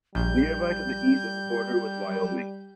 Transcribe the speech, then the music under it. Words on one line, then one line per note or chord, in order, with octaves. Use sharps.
Nearby to the east is the border with Wyoming.
A#1 G3 G6